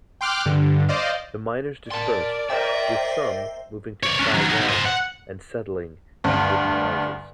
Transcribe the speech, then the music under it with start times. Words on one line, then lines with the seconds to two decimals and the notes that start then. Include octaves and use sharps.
The miners dispersed, with some moving to Chai Wan and settling in wooden houses.
0.21 G5 C6 D6 F6 F#6
0.46 G2 D3
0.89 C5 D5 D#5 F5
1.91 A#4 D5 A5 C6
2.50 A#4 C5 D#5 E5 G5
4.03 C#5 D5
4.19 C#4 D4
4.34 D#3 F#3
4.49 D#4 F#4
4.69 C5 D#5
4.85 F#5
6.24 D2 G2